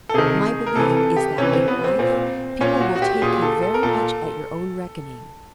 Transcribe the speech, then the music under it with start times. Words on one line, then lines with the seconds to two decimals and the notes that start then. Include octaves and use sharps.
My belief is that in life people will take you very much at your own reckoning.
0.09 A4
0.14 C3 D#3 G#4
0.66 A#4
0.75 C3 E3 A4
0.97 A4
1.16 G4
1.38 C3 E3 C#4
1.53 C4
1.68 B3
1.84 C4
1.99 A#2 C4
2.61 A#2 C#4
2.81 F#4
2.96 F#4
3.02 G4
3.22 A#2 G#4
3.42 A4
3.63 A4
3.74 A#4
3.83 A#2 A4